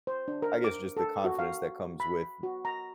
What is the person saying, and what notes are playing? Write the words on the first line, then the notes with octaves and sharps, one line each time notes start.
I guess, just the confidence that comes with
C5
D4
A#4
D6
A4
F#4
F5
B5
F#4
A#5